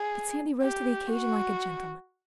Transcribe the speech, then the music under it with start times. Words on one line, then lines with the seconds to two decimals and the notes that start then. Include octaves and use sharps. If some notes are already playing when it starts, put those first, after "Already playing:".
But Sandy rose to the occasion like a gentleman.
Already playing: G#4
0.62 G4
1.12 F#4